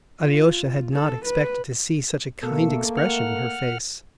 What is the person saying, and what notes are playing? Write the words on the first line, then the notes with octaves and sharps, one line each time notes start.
Alyosha had not expected to see such a kind expression in her face....
F4
A4
B4
B2 A3 A#3 A4
F#5 F6